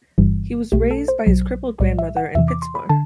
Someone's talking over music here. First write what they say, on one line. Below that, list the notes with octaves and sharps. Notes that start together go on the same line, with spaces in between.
He was raised by his crippled grandmother in Pitsmoor.
G1 G2 E3 G3
B1 B2 A3 G4
A4
C5
B1 B2 F#3
B1 A2 G3 D5
E5
F#5
E2 C3 E3 E5
D6
C6
B5
D3 A5